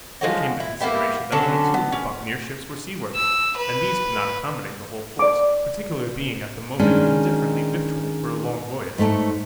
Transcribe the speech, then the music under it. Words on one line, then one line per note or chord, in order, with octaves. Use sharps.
Then came the consideration that only two of the buccaneer ships were seaworthy--and these could not accommodate the whole force, particularly being at the moment indifferently victualled for a long voyage.
F3 G#3 C#4 F#4
E4
A#3 B3 E4 G4
D3 F#3 C#4 A5
B3
C#4
E6
B4
D5 D6
D#3 G#3 C#4 D4
G#2 A3 C#5 A5